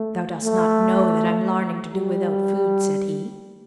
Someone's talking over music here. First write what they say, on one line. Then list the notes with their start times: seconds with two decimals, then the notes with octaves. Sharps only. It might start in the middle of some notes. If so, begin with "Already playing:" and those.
"Thou dost not know that I'm larning to do without food," said he.
Already playing: A3
0.45 A3
1.93 G3